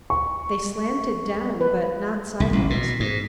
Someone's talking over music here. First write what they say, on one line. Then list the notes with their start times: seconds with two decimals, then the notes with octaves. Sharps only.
They slanted down but not sidewise.
0.10 C#6
1.61 B4
2.40 C2
2.53 A1
2.70 B2
3.00 G#2